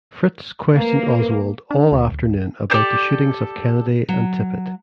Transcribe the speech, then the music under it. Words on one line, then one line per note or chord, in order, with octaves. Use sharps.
Fritz questioned Oswald all afternoon about the shootings of Kennedy and Tippit.
A#3 A#4 B4
D4
D2
G4 A4 C5 D5
F#3